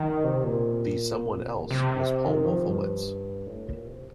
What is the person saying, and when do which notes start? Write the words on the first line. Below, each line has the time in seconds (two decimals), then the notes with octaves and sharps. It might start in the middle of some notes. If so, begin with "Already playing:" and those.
The someone else was Paul Wolfowitz.
Already playing: D#3
0.24 C3
0.44 A#2
1.45 C3
1.58 A#2
1.71 C3
2.25 D#3
2.46 F3
2.66 G2
3.46 A2
3.67 A#2
3.87 C3